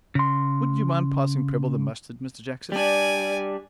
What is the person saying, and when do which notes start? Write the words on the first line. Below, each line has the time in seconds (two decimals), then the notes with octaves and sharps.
Would you mind passing Prebble the mustard, Mr Jackson?'
0.15 C#3 C6
2.72 G3 D4 D5 G#5